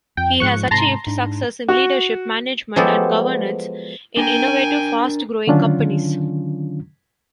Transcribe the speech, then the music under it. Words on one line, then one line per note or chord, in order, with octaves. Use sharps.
He has achieved success in leadership, management and governance in innovative fast growing companies.
F2 G5
G#2 F3 C#6 F#6 C#7
G#2 C3 A5 A#5 C6
G#2 D4
F#4
F3 F#3 G#3 B3 G4 A4
D4 A#4 G5 G#5
D3 D#3 F#3 C#4 D4 F4